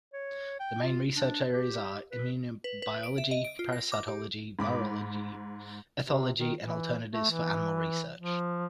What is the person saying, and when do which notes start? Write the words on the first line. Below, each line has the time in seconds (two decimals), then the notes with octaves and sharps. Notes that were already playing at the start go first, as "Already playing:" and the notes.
The main research areas are Immunobiology, Parasitology, Virology, Ethology and Alternatives for Animal Research.
0.13 C#5
0.60 G5
0.82 F4
1.15 D4
1.53 G4
2.11 B4
2.64 B4
2.82 B4
3.03 D7
3.18 E5
3.31 D#5
3.44 D7
3.59 F4
3.73 A#6
3.92 D6
4.08 G4
4.59 G#2 B5 D6
6.02 C3
6.38 D#3
6.59 E3
7.13 A3
7.31 E3
8.19 F3